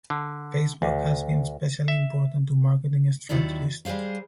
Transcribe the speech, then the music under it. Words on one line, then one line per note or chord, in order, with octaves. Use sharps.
Facebook has been especially important to marketing strategists.
D3
D2
E5
D#2 D#3 F#3 E4 D5
G3 G#3 G#4 C5 F5